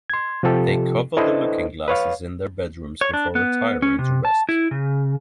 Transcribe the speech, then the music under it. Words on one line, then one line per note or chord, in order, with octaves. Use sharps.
They cover the looking glasses in their bedrooms before retiring to rest.
C6 G#6
C3 F3 F4 G4 A4
D4 E4 A4 B4 C5 D#5
B4 C#5 F5
C#5
D4
B3
C#4
C3
A5
E4
C#3